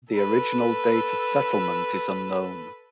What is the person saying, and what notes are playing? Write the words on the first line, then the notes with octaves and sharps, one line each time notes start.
The original date of settlement is unknown.
A4 B4